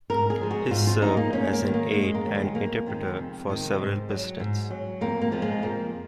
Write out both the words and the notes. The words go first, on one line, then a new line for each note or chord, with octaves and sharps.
His served as an aide and interpreter for several Presidents.
G#2 A#4
G#4
F3 G#3
F#4
G#2 F4
F4
F3 G#3 D#4
A#3
F#2 C#4
A#3
D#3 F#3
A#3
F#2 G#3
A#3
D#3 F#3
G#3
F2 A#3
C3 D#3 G#3
F2
C3 D#3 G#3
G#2
F#3
G#2
F#3
F2 A#3
A#3
C3 F3 G#3
G#3
F2 A#3